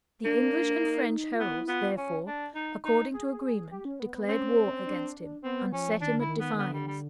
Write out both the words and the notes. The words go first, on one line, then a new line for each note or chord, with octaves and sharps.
The English and French heralds, therefore, according to agreement, declared war against him, and set him at defiance.
A#3 D4
E4
D#4
F4
B3 E4
B3 F4
C#4
D4
D#4
D#4
G#4
G4
C#4
B3
B3
C4 C#4
D4
B3 C4
F3 C#4
D#3 D4
D3
E4
D#3
B3
D#3
D3 B3
G3
G3